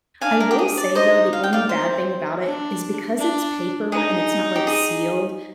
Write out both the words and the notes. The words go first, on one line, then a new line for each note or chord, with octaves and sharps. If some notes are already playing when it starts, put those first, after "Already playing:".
I will say though, the only bad thing about it is because it's paper and it's not, like, sealed,
D4 F5 G#5
A#4
G4
G#4
D5
D#4 C5 D#5
F5
G5
D5 F5
C4 C5
D4
D4
D#4 G#4
G4
G#4